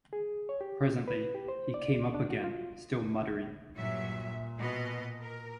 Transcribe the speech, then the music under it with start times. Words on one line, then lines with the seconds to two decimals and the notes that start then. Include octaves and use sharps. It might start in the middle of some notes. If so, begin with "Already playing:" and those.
Presently he came up again, still muttering.
0.13 G#4
0.49 C#5
0.61 G4
1.08 B4
1.35 G4
1.48 C5
1.74 D5
2.14 D4
2.30 F#4
2.44 F4
3.76 G2 A#2 F#3 E5
4.58 B2 B3 D#5
5.21 A#4